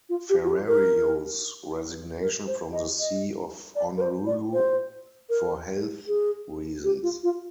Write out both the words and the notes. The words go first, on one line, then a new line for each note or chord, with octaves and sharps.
Ferrario's resignation from the See of Honolulu, for health reasons.
F4
G4
F4
G4
A#4
A#4
C5
D#5
D#5
D5
A#4
C5
D5
C5
A#4
G#4
G4
F4
F4